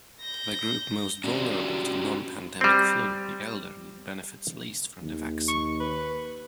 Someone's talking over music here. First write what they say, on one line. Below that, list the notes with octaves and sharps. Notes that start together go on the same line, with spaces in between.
The group most vulnerable to non-pandemic flu, the elderly, benefits least from the vaccine.
G6 A#6
C#4 D4 F#4 G4
G3 C4
D#2
C#6
B4